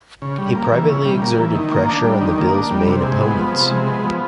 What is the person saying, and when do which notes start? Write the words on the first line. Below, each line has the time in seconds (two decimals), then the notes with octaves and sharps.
He privately exerted pressure on the bill's main opponents.
0.22 C#3
0.38 G3
0.55 A#3
0.72 E3
0.89 C#3
1.05 G3
1.22 A#3
1.38 E3
1.55 D#3
1.71 A#3
1.88 D4
2.04 G3
2.21 D#3
2.38 A#3
2.54 D4
2.71 G3
2.88 C3
3.04 G#3
3.21 B3
3.38 F3
3.54 C3
3.71 G#3
3.87 B3
4.04 F3